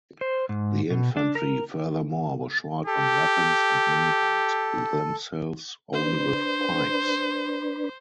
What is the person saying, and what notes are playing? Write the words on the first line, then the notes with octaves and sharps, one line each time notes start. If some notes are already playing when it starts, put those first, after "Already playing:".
The infantry, furthermore, was short on weapons and many armed themselves only with pikes.
C5
G#2
B2
D4
A#4
G4 A4
D4 B4 C5